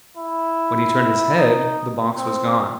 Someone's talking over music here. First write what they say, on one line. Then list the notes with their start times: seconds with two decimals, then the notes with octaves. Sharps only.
When he turned his head, the box was gone.
0.17 E4
1.38 D#4
2.18 C4